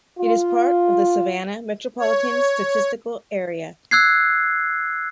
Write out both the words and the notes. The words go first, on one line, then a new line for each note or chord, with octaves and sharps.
It is part of the Savannah Metropolitan Statistical Area.
F4
C#5
E6 F#6 G#6 C7